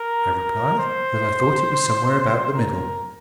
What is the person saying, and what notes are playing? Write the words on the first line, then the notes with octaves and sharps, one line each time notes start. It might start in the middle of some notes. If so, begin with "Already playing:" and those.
I replied that I thought it was somewhere about the middle.
Already playing: A#4
A#4
C5
A#4